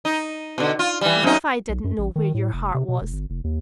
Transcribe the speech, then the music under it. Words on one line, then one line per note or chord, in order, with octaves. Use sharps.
As if I didn't know where your heart was.
D#4
B2 D3
F4
E3 G3
F#2 D#4
B1
F#2
A1
D#3
A2
F1
C3
B2
E1
G1
F1
D#2